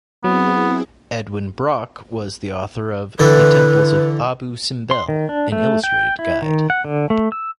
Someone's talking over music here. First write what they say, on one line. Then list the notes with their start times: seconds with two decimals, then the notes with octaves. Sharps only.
Edwin Brock was the author of The Temples of Abu Simbel: An Illustrated Guide.
0.24 F#3 B3 C4 E4 G#4
3.19 D3 E3 A4 B4
4.91 C6
5.09 D#3
5.29 D4
5.52 A3
5.84 G5
6.19 E4
6.42 D#3
6.70 F#5
6.85 D3
7.10 A3
7.32 E6